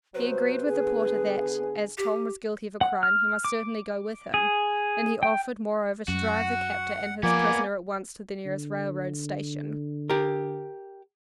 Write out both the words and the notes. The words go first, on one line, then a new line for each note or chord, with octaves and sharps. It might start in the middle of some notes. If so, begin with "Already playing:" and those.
He agreed with the porter that as Tom was guilty of a crime he must certainly go with him, and he offered, moreover, to drive the captor and his prisoner at once to the nearest railroad station.
C3 F#3 B4 C5
D3 B3 G#4
G4
F#5
F6
D6
G#4
G5
F#2 F#4 F#5
F3 A#3 B3 D5 G#5
D3
G4 A#4